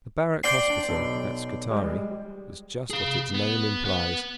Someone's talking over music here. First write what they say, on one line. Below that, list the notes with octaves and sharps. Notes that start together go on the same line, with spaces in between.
The Barrack Hospital at Scutari was just what its name implies.
D5 G5 C6
D4
B1
G3 G#3
G#4 F5
B3
B4 F#5